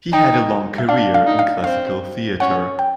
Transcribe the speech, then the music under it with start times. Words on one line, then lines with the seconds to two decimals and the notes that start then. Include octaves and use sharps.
He had a long career in classical theatre.
0.12 D#4 G5
0.78 E5
0.88 D4 F5
1.14 F5
1.26 D#4
1.39 F5
1.64 C4 F5
2.40 C#4 F#5
2.79 G5